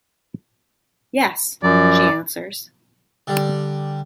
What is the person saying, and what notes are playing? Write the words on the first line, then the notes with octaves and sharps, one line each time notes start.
"Yes," she answers.
F#2 F3 D5
D3 G3